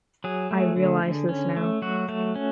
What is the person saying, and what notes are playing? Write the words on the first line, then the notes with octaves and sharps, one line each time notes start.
I realize this now.
F#3 G#4
A3
D3
D3
C#4
A3
F#3 F#4
A3
C#4